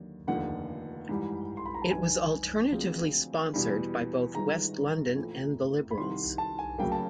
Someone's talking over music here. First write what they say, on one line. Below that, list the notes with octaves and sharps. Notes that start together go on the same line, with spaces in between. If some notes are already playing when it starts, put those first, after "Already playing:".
It was alternatively sponsored by both West London and the Liberals.
Already playing: D#2 D3 F#3
F1 D#2 D3 F3 F#5
G#2 E3 G3
C6
B5
A#5
A5
G1 F#2 D#3 G#5
D2 D3 F3 G#3 C4
E2 B2 G3
G1 G2 D#3 G#3 A#5
A#1 A2 E3 A3
B5
C2 C3 D#3 C6
A5
G#5
D2 C#3 F#3 A#3 G5
A5